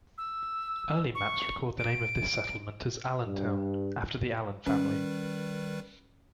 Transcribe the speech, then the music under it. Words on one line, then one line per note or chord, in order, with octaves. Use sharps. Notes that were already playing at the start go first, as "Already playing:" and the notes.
Early maps record the name of this settlement as Allentown, after the Allen family.
E6
C#6
D7
G2
D#3 G3 C#4 B4